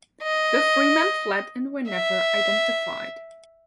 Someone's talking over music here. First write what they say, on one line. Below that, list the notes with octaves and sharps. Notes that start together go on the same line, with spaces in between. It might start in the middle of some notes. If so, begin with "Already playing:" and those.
The three men fled and were never identified.
D#5
E5